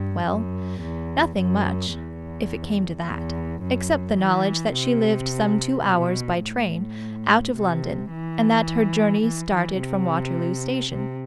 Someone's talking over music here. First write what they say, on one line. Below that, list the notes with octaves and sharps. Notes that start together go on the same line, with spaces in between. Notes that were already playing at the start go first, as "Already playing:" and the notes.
Well, nothing much, if it came to that, except the knowledge that she lived some two hours by train out of London, and that her journey started from Waterloo Station.
Already playing: G2
F#2
E2
F#2
E2
E2
F#2
E3
C3
B2
A2
C3
E3
E3
E3
C3
C3